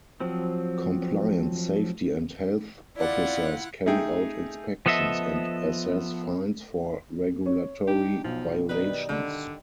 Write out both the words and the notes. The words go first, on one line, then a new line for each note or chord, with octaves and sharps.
Compliance Safety and Health Officers carry out inspections and assess fines for regulatory violations.
F3 F#3 C4
E4 F4 D5 F#5
A3 D#4 G#4 G5
F3 B3 A4 D#5 E5
C#5
D4 D#4 G4
B1 F3
D#3 G3 D#4 B4
D3 G5 B5